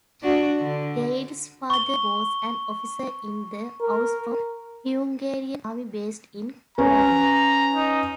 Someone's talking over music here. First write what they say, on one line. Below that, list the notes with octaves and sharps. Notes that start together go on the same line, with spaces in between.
Geidl's father was an officer in the Austro-Hungarian Army based in Kotor.
D4 F#4
D3
C#6 G7
A#4
C#4 B4 A#5
D#4